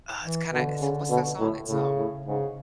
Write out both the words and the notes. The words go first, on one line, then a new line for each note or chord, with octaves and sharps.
Uh, it's kinda it's what's that song? It's, um,
E3
B2 D3
C#3
B2
A2
A2 C#3
A2
G#2 C#3